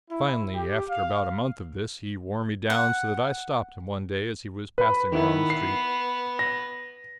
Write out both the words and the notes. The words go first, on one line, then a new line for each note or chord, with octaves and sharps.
Finally, after about a month of this, he wore me down so that I stopped him one day as he was passing me on the street.
E4
G4
F5
F#5
B4 B5
D#3 B3 E4
C7
A#6